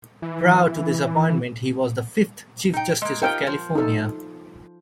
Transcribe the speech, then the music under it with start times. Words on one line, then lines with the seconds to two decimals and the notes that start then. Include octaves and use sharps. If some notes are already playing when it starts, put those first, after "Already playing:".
Prior to this appointment, he was the fifth Chief Justice of California.
0.22 E3
2.73 D#4 G5
3.02 G#3 A#3
3.22 D#4 F4 G4 A#4 G5
3.47 F3
3.75 D#4 A4